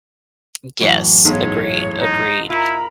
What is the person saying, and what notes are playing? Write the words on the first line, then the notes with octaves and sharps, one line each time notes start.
M yes, agreed, agreed.
F#2 A2 E3
B1 G#2 C#5
D#4
E4 F4 A#4 A#5 B5